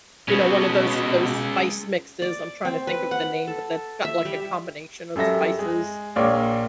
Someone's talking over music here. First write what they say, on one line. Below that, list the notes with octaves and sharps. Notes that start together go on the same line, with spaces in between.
you know, one of those those spice mixes. I'm trying to think of the name, but that's got, like, a combination of spices,
B2 G#3 C#4
D5
C4
B4
F#5
A4
E5
G3
F#2 G3 A4 E5 A#6
G#3
A#1 A#2 A#3 C#5 D5 F5